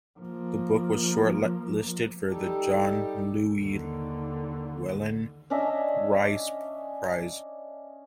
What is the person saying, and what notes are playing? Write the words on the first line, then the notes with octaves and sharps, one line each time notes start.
The book was shortlisted for the John Llewellyn Rhys prize.
F3 A#3
G3 D#4 G4 A4
D#2 D3
C#4 D4 D#5 E5